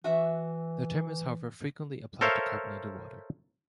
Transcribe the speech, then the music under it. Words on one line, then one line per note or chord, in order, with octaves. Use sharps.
The term is, however, frequently applied to carbonated water.
E3 F#4 E5
A4 A#4 C5 C#5 E5 F5